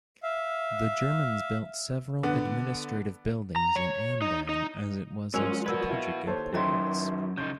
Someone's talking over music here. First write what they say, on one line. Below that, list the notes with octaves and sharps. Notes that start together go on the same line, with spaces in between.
The Germans built several administrative buildings in Ambam as it was of strategic importance.
E5 F5
D3 B3
A#5
C#5
D#4
D#4
F3 F#3 G#3 C#4 A#4 C5 G#5 F7
F#4 A#4 B4 D5 G#6
E4 F5
D#2 A4 C5 C#5
F#2 D#3 C#4 E4 D#5 A#5 C6
C#3 D#4 C6 G6